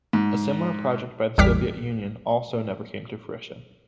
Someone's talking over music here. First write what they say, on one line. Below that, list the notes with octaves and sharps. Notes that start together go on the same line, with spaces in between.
A similar project by the Soviet Union also never came to fruition.
G#2
A1 E2 G3 D6 F6 B6